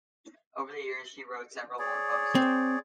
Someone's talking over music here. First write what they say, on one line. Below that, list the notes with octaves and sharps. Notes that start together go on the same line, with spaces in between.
Over the years, she wrote several more books.
G#4 C#5 D5
C4